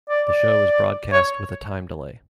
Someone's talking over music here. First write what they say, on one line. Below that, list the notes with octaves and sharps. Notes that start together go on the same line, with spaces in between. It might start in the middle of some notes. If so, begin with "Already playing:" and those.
The show is broadcast with a time-delay.
D5
D5
C#5